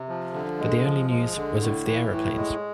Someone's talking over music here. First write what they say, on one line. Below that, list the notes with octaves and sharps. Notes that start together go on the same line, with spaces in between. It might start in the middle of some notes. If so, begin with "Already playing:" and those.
But the only news was of the aeroplanes.
Already playing: C3
F3
D3
G#3
F3
G#3
D3
A2
E3
A2
G#3